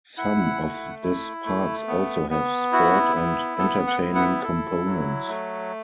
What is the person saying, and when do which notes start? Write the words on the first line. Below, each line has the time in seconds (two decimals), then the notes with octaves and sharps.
Some of this parks also have sport and entertaining components.
0.18 E4 F#5
0.61 A3
1.03 E4
1.46 A3
1.87 B3
2.30 B3
2.72 E4 F#4
3.16 B3
3.58 B3 A4
3.87 F#5
4.01 E4
4.15 F#5
4.43 E4 A4
4.86 F#3
5.29 A3